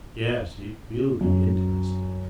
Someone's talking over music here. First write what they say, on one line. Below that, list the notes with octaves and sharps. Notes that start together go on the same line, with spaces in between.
"Yes, it will be interesting."
F#2